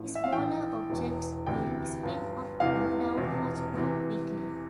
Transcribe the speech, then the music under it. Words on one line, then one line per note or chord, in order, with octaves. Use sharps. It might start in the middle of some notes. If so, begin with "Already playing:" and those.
Smaller objects will spin up or down much more quickly.
Already playing: A1 A2 F3
E5
F5
A#1 A2 E3 G5
E1 E2 E3
D2 C3 E3 G5
G1 G2 F3
F1 E2 C3 E3 F5
E1 E2 C3 F3
E2 C3 E3